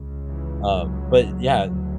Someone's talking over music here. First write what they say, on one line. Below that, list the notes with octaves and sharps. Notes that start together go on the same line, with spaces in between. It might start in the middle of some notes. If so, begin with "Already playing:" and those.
um, but yeah
Already playing: C#2 C#3
E3
F#3
D2 F#3